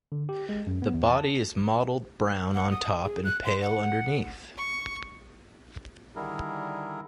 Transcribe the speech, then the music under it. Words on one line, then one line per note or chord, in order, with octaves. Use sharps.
The body is mottled brown on top and pale underneath.
D3
G4
G#3
F#2
B3
E2
A5
F#5
D#6
G#4
F#6
C6
F#5
C#6
D3 D#3 G3 E4 G#4 A#4